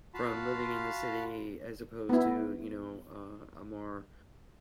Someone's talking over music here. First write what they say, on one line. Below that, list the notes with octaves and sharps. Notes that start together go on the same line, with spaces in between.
from living in the city as opposed to, you know, uh, a more
F4 F#4 F5 A5 B5
B3 E4